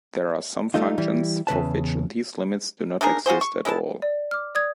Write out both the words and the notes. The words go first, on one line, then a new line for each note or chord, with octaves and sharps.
There are some functions for which these limits do not exist at all.
G3 A3 D#4 F4
E3 G3
E2 C#3 B4 A5
D4 D#4 G#4 A#4
F4 F#4 G#4 C5
C#6
G#3 E4 D5 A5
D5
D6 F6
D5 D#6 G#6